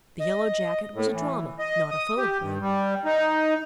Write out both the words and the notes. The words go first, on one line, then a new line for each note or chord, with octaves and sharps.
The Yellow Jacket was a drama, not a photoplay.
D#5
A2
E3
D#5
D#6
G4
G2
G3
D#4